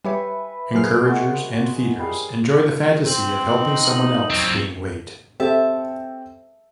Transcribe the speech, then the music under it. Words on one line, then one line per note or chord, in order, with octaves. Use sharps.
Encouragers and feeders enjoy the fantasy of helping someone else gain weight.
G3 G4 B4 C#5 E5 G#5
F#3 G#4 A#4 C5 F6 C7
G#3 F#4
G3 G#4 F5
C4 F#7
D#4 F#7
F#7
F#3 C4 E6
C4 G4 A4 E5 A5